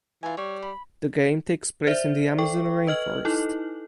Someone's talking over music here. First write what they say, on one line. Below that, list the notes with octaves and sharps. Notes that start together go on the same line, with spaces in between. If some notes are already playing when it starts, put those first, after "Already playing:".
The game takes place in the Amazon rainforest.
E3 F4 G#5
G3 C#5
B5
C5 D5 E5
A4 G5 C#6
B4 D#5 F6 F#7
D#4 E4 A4